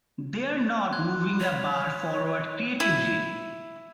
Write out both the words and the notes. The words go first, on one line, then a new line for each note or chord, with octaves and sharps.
They're not moving the bar forward creatively.
C6 F#6 G#6
C#5 B5 B6 F7
E4